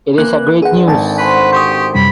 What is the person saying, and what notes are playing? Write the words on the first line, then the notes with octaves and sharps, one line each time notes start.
It is a great news.
E3 A#3 F#6
D3 G#4 F#5
G#1 G#5 A5
F#4 B4 C5
C4 G4 C6 C#6 D#6
F#2 C3 G3 B5